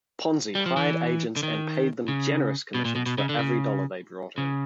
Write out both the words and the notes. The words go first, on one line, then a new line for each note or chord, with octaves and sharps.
Ponzi hired agents and paid them generous commissions for every dollar they brought in.
G3
F3
E3
D3
D#3
C#3
B2
A#2
B2
B2
C#3
D3
C#3
C#3